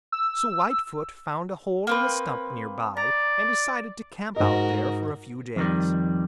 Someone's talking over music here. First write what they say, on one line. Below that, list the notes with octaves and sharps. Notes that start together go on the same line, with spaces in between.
So Whitefoot found a hole in a stump near by and decided to camp out there for a few days.
E6
A#3 C4 B4
D5 A#5
G#2 F#4 A#4 D#5
F2 D#3 G3